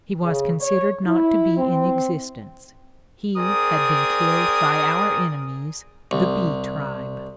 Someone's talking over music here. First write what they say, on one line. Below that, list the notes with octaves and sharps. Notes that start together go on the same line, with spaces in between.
He was considered not to be in existence--he had been killed by our enemies, the Bee tribe.
C#3
C#5
E4
C4
C4 G#4 A#4 D5 D#6
C2